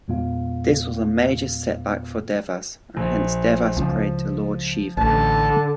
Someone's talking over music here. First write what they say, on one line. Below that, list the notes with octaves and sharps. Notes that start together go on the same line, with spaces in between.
This was a major setback for Devas and hence Devas prayed to Lord Shiva.
E2 A#2 G#3 B3 F4 F5
A#1
C#2 F3
A1 D3 A5